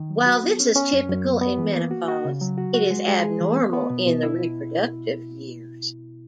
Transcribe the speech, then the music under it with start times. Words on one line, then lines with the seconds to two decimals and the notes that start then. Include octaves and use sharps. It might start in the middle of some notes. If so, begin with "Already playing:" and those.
While this is typical in menopause, it is abnormal in the reproductive years.
Already playing: D#3
0.10 F#3
0.26 F#4
0.43 B3
0.60 C#4
0.76 C#4
0.93 F#2
1.09 F#2
1.25 B3
1.41 B3
1.58 E3
1.75 A#3
1.91 F#4
2.08 F#4
2.25 C#3
2.41 F#3
2.58 F#4
2.74 F#4
2.91 G#3
3.08 G#3
3.24 G#4
3.40 E3
3.57 B3
3.73 B3
3.90 B2
4.06 B2
4.23 E4